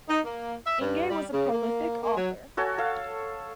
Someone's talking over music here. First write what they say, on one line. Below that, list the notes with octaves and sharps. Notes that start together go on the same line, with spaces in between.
Inge was a prolific author.
D#4
A#3
E5
G2
G3
C#3
A#3
A#3
F#3
F#4 A4 C#5 G#5
A4 F5